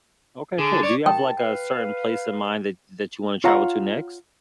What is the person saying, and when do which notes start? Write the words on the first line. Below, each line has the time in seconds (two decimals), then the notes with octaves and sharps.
Okay, cool. Do you have, like, a certain place in mind that that you wanna travel to next?
0.58 D3 G#4
0.83 C#5 D5
1.06 D#2 G5 A5
1.39 B4 F5
3.44 F4 C#5 F5 F#5 A#5